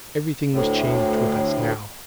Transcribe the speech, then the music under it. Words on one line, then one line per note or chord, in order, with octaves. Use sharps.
Everything was changed with us now.
D2 A2